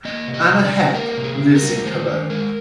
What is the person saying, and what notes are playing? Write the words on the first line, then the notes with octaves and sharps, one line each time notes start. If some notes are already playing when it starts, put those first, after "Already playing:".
Anna Hepp lives in Cologne.
A#3 D#5
C3
D#5
C3
D5
G3
A#3 A#4
C3
G#4
C3
A#4
G3
D#3 C5
D#3
G#3 A#4